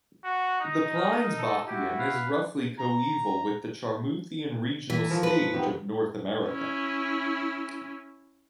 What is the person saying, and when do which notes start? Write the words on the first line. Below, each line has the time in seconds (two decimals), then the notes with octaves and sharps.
The Pliensbachian is roughly coeval with the Charmouthian regional stage of North America.
0.24 F#4
0.61 D#4 D#5
0.94 A#4
1.37 A4
1.67 E4 F#4 G4
1.98 B4 F5
2.79 A#5
4.90 E3
5.11 F3 A3 A#4
5.23 B4
5.54 C3 D#3 B3
6.46 C#4 E4